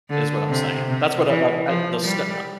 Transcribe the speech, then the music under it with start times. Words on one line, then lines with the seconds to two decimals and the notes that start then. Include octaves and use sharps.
That's what I'm saying. That's what, uh uh, the Sn uh,
0.10 D3
0.49 C3
0.88 C3
1.27 E3
1.66 F3
2.05 G3